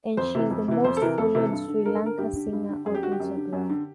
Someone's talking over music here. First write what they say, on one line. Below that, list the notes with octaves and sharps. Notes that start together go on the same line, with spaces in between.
And she is the most followed Sri Lanka singer on Instagram.
F2 C5
C3 E3
F2
C3 E3
F2 C5
A4
C3 E3 A#4
F2 A4
C3 E3
G2
D3
G2 A#4
A4
D3 A#4
G2 G4
D3
G2
D3
F#2 G#4
G4
D3 F#4
G4
F#2
D3
F#2
D3